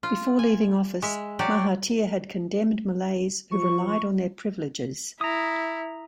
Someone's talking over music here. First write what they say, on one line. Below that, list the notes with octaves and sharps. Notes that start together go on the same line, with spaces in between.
Before leaving office, Mahathir had condemned Malays who relied on their privileges.
F4
G#5
G#3 E5
F#3 F#4 G4 D5
F3 C#6
E4 A#5 D#6